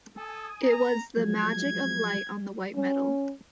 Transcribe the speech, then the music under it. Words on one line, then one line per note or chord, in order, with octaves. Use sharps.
It was the magic of light on the white metal.
A4 G#5 D#6
A#5
F3 F#3 G#3 G#6
C#4